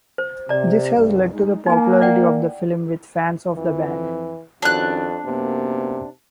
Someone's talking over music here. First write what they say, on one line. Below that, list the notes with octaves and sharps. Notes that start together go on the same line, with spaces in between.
This has led to the popularity of the film with fans of the band.
C5
C3 D5 A#5
C2 G2
G#3 D#4
A#3 D#4 G#5
D5 F#5 G5
F2 E3 F3
F2 D#3 C#4 D4 F#4 F#6
F#2 C3 A#3 B3